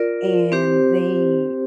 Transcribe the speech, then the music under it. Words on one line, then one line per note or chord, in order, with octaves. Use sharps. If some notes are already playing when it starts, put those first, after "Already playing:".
and they
Already playing: F4 A#4 D5
C4 G4 C5